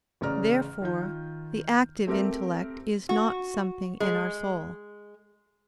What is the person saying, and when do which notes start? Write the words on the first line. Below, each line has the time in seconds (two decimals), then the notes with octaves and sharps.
Therefore the active intellect is not something in our soul.
0.21 A1 C#3 D5 A#5 F6
0.82 D#3 F4 G6
2.07 A3 C4 G4 A#4 E5
3.09 F#4
4.00 G#3